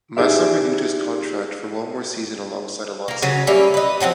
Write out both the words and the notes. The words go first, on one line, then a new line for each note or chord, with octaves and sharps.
Massa renewed his contract for one more season alongside Alonso.
D#4 G4 G#4 D5 E5
A#3 A#4
C#3 F#3
G3 A#3 C#4 E5
B4 D#5
F3 F#3 A#3 C4